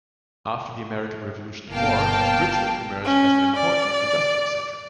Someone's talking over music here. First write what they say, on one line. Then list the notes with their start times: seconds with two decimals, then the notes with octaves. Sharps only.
After the American Revolutionary War, Richmond emerged as an important industrial center.
1.69 G1 B2 A#3 F5 G5 A5
3.05 C#4
3.56 D5